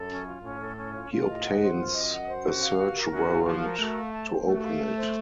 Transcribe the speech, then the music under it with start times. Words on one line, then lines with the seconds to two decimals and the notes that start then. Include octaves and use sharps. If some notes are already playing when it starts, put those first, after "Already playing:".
He obtains a search warrant to open it.
Already playing: F#2 A4
0.09 C#4
0.26 F4
0.43 A2 C#4
0.60 A4
0.76 C#4
0.93 F4
1.10 A2 F4
1.27 D#5
1.43 F#5
1.60 C5
1.77 F#2 F4
1.94 D#5
2.11 F#5
2.27 C5
2.44 F#4
2.61 F5
2.78 F#4
2.95 A#4
3.11 F#2 F#4
3.28 F5
3.45 F3 F#4
3.62 A#4
3.78 A3 F#4
3.96 F5
4.12 A5
4.29 C5
4.46 A3 F#4
4.62 F5
4.79 A5
4.96 C5